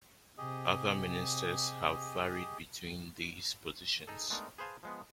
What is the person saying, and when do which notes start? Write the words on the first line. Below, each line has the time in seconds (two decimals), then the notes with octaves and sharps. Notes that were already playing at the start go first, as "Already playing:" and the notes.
Other Ministers have varied between these positions.
0.38 C3 G4 G#4 D#5
4.07 D#4 G#4 A4
4.30 G#3 A3 B3 D4 D#4 A#4
4.58 G#4 B4 C5 F5 G#5 A5
4.83 F3 G#3 B3